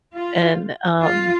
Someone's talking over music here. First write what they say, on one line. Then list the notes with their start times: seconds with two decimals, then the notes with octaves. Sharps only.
And, um,
0.14 F4
1.01 F4